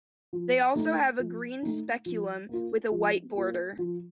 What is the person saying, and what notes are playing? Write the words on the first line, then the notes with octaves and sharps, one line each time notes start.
They also have a green speculum with a white border.
F3
A3 D#4
F3
A3 D#4
F3
A#3 F4
F3
A#3 F4
F3